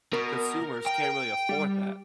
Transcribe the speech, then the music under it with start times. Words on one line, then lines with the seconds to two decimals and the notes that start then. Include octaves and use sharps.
consumers can't really afford that.
0.13 B2 A#4
0.86 G5
1.49 G3